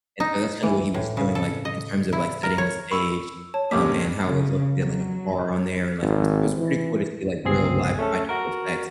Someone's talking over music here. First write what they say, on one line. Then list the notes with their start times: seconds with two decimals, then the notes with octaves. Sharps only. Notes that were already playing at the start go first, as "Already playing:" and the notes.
and so that's kinda what he was doing, like, in terms of, like, setting the stage, um, and how it was looking, he had like a car on there and, like, it was it was pretty cool to see, like, real live practical effects,
0.20 D#4
0.63 E3
0.94 A2
1.17 C#3
1.35 A4
1.65 D#5
2.13 E4
2.43 A#4
2.58 C#5
2.91 B5 C#6 E6
3.54 C#5 A5
3.71 C#2 G2 A#2 D6 B6
4.26 C#3
4.76 F#3
6.02 G#1
6.58 E3
7.44 G1 C#2 C4 G#4 C7
7.99 A3 C#4 A4
8.29 F#4 A#4